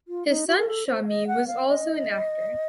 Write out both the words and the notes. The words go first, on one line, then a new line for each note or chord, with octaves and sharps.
His son Shammi was also an actor.
F4
D#4
F#4
A#4
A4
C5
F5
D#5
F#5
F5
D#5